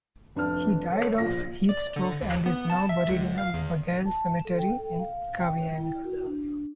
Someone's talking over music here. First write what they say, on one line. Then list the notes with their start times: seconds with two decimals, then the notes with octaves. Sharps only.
He died of heat-stroke and is now buried in Bagail Cemetery in Kavieng.
0.35 F1 D4 B4 F6
0.92 A4 C#5
1.18 A#1 A#2 F5 A#6
1.69 D5
1.96 D3
2.22 D#2
2.46 B3
2.70 A5
2.89 E5
3.09 C#2
3.38 F5
3.54 E2
4.05 A5
4.45 A4
4.58 G5
4.78 A4
4.99 F5
5.40 G5
5.78 E4
6.04 F#4
6.27 D4